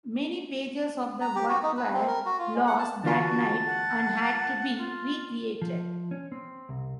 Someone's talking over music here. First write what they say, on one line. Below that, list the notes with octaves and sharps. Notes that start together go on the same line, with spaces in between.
Many pages of the work were lost that night and had to be recreated.
A#5
G4
F#4
D#4
B4
C4
A#4
F#4
F4
G#3
F#5
A5
D3 E3 F4 F#4 A5
F#5
F4
F3
C#4
C4
C2